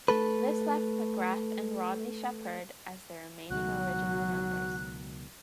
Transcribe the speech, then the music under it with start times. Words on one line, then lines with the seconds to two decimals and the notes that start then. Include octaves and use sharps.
This left McGrath and Rodney Sheppard as the remaining original members.
0.08 A3 A4 B4
3.50 C#2 B2 D#3 F#3 F#4 F#6